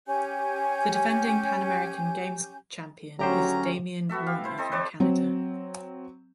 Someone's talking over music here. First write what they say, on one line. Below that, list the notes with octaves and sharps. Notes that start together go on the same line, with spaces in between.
The defending Pan American Games champion is Damian Warner from Canada.
C#4 G4 G#5 G6
D2 F#3 C#4 G4 C5 A#5
B3 F#4 A4 E5
G4 F5
E4 C5
C4 A4 C5 D#5
B4 C5 D5 A5
F#3 C4